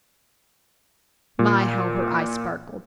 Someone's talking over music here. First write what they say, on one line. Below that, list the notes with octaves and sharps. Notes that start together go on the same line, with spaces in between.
My, how her eyes sparkled!
A#2